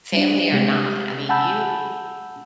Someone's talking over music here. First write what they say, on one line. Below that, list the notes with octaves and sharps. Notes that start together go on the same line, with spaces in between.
Family or not, I mean, you
G3 D4
C3 G#3 G4
F#5 G#5 A5 B5 E6 G6